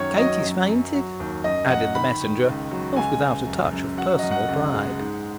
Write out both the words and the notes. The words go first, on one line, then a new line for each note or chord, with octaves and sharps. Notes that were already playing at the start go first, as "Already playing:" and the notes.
"Katie's fainted," added the Messenger, not without a touch of personal pride.
Already playing: F#2 D#3 C#5
F#3 D#5
F#2
F#2
F#3
D#2
F#2 D#5
F#2 F#5
D#3 B5
D#3
C#2
F#3
C#2 G#5
C#2
F#2
F#2
F#3 F#5
F#2 D#5
F#5
C#2
G#3
G#2